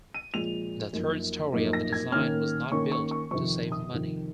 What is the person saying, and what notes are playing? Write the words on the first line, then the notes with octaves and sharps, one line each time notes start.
The third story of the design was not built to save money.
D#7
A#2 F3 G#3 F7
F#2 F3 A#3 D#4
F#2 F3 A#3 D#4
A#6
G#6
D#3 A#3 C#4 F6
D#3 A#3 C#4 C#6
C#6
C#6
F2 C3 D#3 C#6
D#6
F2 C3 D#3